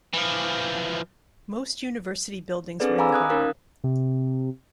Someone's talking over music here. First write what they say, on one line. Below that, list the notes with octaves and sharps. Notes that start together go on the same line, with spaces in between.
Most university buildings were in the borough.
E3 F3
C4 D4 G#4 A4 B4 D5
F5 G#5 A#5 B5 D6 E6
D#6 F#6 G#6
C#4 D#4 A#4 F5
C3